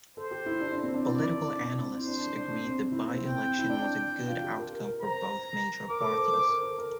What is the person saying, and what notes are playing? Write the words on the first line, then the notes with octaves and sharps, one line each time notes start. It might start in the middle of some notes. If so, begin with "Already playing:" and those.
Political analysts agreed the by-election was a "good outcome for both major parties".
A4 C5
G4
E4
D4
D4
C4
D4
E4 D5
E4
D4
D4
D4
C4
D4 C5
E4
D4
D4
C4
C4
E4
C4
C4
G5
E4
D4
F4
G4
A#4
A#4
A#4
C5 A#5
A#4 D6
A4
C5
A#4
C5
A#4
A4
A#4